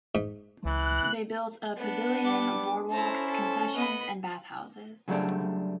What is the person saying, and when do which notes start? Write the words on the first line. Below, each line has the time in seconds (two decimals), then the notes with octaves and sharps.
They built a pavilion, boardwalks, concessions and bath houses.
0.15 G#2
0.65 C#2 E3 F#6
1.76 B3 D4
2.24 G3 D6
2.90 C#4 E4 A4 C5 A#5
3.26 A4
3.75 B3 D#5 B5
5.08 C#3 F#3 G3 A3 D4